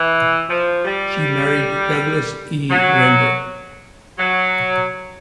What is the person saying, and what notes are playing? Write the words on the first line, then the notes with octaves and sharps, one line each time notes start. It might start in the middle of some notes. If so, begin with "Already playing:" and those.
She married Douglas E. Render.
Already playing: E3
F3
G3
F#3
F#3